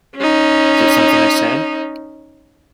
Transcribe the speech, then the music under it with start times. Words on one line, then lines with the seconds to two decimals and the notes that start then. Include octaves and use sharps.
Is it something I said?
0.17 C#4 D#4